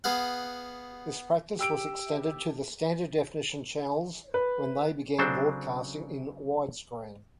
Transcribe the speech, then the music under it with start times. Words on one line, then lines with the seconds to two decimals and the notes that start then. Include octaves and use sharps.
This practice was extended to the standard-definition channels when they began broadcasting in widescreen.
0.04 B3 G#4 F5 F#5
1.59 G4 E6 D7
4.34 B4
5.19 C#3 F#3 C4 D4 A4 C5